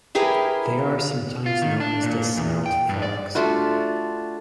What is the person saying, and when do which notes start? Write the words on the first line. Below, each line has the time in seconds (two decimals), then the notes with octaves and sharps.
They are sometimes known as the snouted frogs.
0.15 E4 G4 G#4 A#4 B4
1.46 F4
1.62 D#3
1.80 D4
2.03 A#2
2.37 E2
2.66 G5
2.89 G2
3.02 D5
3.35 A3 D4 F4 F#4